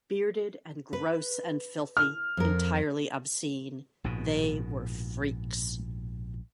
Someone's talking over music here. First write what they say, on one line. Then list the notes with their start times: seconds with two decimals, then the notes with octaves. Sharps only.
'Bearded and gross and filthy, entirely obscene, they...were freaks.
0.93 B4
1.97 F6
2.37 F2 A#4
4.04 A#1 G#2 B2